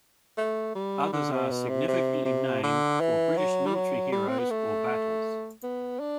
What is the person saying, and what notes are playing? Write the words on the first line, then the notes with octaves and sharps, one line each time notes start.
Others are significantly named for British military heroes or battles.
A3
G3
D3
C3
B2
C3
C3
C3
D3
E3
F#3
G3
F#3
G3
C4
B3
A3
B3
D4